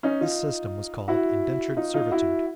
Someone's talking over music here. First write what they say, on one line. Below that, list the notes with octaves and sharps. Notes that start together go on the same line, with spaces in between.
This system was called indentured servitude.
C#4 D#4
D#4 F4
E4 F#4
D#4 F4
D#4 F4
E4 F#4